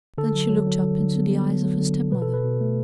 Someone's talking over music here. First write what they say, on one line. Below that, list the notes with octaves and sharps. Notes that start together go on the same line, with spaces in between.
Then she looked up into the eyes of her step-mother.
D3 A4
F#3
F#3
F#3
D3
D3
B3
B3
F#3
F#3
D3
F#3
B2 B4
A4
B2
B4
B2
A3